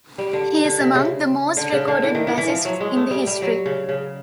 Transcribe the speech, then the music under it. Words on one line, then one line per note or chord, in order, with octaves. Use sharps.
He is among the most recorded bassists in history.
G3
D3
D3
C3
C#3
D3
C#3
D3
E3
D#3
E3
E3
F3
F#3
G#3
A3
G3
G3
F#3
C#3
C#3